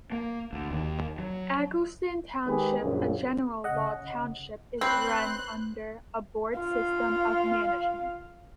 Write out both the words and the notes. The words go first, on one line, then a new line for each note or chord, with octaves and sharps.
Egelston Township, a general law township, is run under a board system of management.
A#3
D2
D#2
F#3
D#3 G#3 D#4 G4 G#4 B4
A#1 F#2 C#3
C#3 D#5 F#5
C4 B4 C#5 C6 F#6 G6
F4 F5